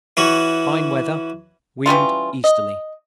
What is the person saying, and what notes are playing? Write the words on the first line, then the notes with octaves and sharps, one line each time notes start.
Fine weather: wind easterly.
E3 C#4 F#4
E3 G3 C#4 F4
D#5